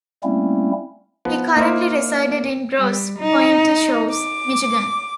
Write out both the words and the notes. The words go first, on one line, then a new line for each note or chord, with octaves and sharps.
He currently resides in Grosse Pointe Shores, Michigan.
G3 A3 A#3 C4 C#4 E4
F3 B3
A#3 D#4 E4 C5
G3
D#4
D6